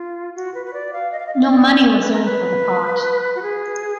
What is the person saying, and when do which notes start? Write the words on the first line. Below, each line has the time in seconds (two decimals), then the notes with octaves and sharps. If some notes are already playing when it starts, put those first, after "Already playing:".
No money was earned for the pot.
Already playing: F4
0.35 F#4
0.54 B4
0.66 B4
0.74 D5
0.93 F5
1.12 D#5
1.19 F5
1.27 D#5
1.34 F5
1.42 D#5
1.50 D5
1.89 D5
2.01 B4
2.12 A#4
2.25 B4
3.35 F#4
3.43 G#4